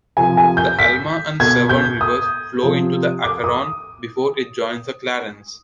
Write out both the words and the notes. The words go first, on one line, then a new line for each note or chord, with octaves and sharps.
The Alma and Severn Rivers flow into the Acheron before it joins the Clarence.
C3 F3 G#5
G#5
G6
B6
B2 G#6
G6
D#6
C3 F3
D6
D#6